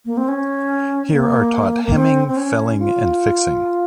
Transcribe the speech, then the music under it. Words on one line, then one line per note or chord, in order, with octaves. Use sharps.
Here are taught hemming, felling, and fixing.
A#3
C4
C#4
A#3
A#3
C4
C4
C#4
F4